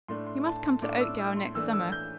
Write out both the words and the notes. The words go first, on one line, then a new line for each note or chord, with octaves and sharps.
You must come to Oakdale next summer.
A2 A3 D4 C6
C6
A5
C6
A2 A3 D4 D6
D6
E6
E6
C6
E3 A3 D4 E6
E6
G6